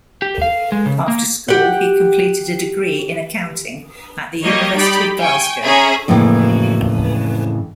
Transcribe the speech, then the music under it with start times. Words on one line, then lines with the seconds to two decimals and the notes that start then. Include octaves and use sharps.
After school, he completed a degree in accounting at the University of Glasgow.
0.22 G4
0.42 F5
0.72 G#3
0.86 C#3
1.08 A#3
1.49 G4 F#5
4.45 G3 A#3 G4 C#5 D#5
4.76 D#4 G4 D5 B5
5.18 G5 G#5 C#6
5.63 C#4 G#4 E5 A#5 B5 C#6
6.08 F2 A2 C#3 E3 A#3